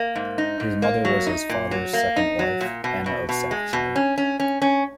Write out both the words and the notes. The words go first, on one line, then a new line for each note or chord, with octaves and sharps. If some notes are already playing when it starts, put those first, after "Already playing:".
His mother was his father's second wife, Anna of Saxony.
Already playing: A#3
G#2
D#4
G#2
A#3
F#3
D#4
A#2
F#3
A#3
D#4
F#3
A#2
B2
B2
B2
G#3
B2
C#4
C#4
C#4
C#4